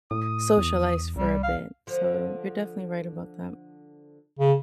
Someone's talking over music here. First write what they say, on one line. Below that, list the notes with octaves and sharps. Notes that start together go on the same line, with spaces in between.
socialize for a bit." So, you're definitely right about that.
A2 D#6
E2
C2 G3
F5
D3 F3
C#3